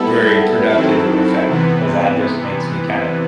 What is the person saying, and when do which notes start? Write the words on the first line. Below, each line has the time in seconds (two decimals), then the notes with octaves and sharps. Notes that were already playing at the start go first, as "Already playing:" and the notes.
very productive or effective cause that just makes me kinda
Already playing: G3 B3 E4 A4
0.70 D#3 F#3 C4 E4 A4
1.49 C3 E3 B3